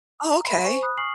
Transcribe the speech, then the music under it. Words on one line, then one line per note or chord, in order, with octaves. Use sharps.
Oh, okay.
A#5
E5 B5 C6
C5 G#5 C#6
B5 D#6 F#6
G#5 C#6 D#6 F6 C7 F#7